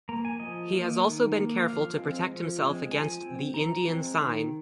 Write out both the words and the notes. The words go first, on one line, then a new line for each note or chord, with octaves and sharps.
He has also been careful to protect himself against ‘the Indian Sign’.
A#3 A#5
G#5
F3 D#5
A#3
D#3
A#3
F3 F5
G#3 C4
F3
G#3 C4
F3 G#5
C4
F3 A#5
G#3 C4
D#3